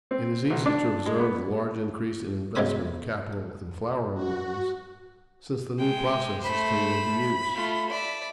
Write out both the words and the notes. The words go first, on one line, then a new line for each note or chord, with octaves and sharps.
It is easy to observe the large increase in investment of capital in flouring-mills since the new processes came into use.
C4
B1
D4
G#3
B3
B1 G#2 C#3 C4 B5 D#6
F#4
G#3 G5
A3 C5 B5
A3 F4
D5 E5